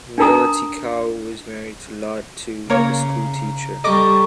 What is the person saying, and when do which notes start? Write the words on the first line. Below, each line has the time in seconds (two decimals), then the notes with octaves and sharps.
Nailatikau is married to Latu, a schoolteacher.
0.18 D4 D#4 A#4 A#5 D#6
2.70 C#3 A#3 C#5 A#5
3.84 G3 A4 D#5 A#5 C#6 D6